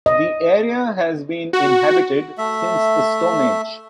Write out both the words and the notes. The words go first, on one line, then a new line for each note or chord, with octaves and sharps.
The area has been inhabited since the Stone Age.
D#5
F#4
A3 E5